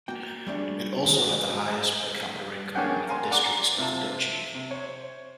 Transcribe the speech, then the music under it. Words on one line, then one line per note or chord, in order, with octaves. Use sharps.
It also had the highest per capita income of the districts of the duchy.
A#3 F#4 G5
G3 A3 D4 G#4
A2 D#3 G#3
F#4
A#3 C#4 D4 G#4 F#5 G5
A#4 F5 G#5 C6
D5 F#5 A#5 D6
C3 F4 A5
C3
C5 C#5